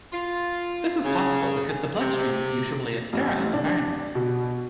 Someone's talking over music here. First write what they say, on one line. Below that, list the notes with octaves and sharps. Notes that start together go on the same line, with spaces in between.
This is possible because the bloodstream is usually a sterile environment.
F4
C#3
C3
A1
D4
B2